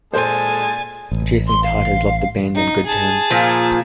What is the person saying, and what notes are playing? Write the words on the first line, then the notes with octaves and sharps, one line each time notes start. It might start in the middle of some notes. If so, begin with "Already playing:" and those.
Jasin Todd has left the band on good terms.
A#2 G#3 A4 C5 G#5 A6
A1
C6
F5
D#4
G#4 A5
A#2 F3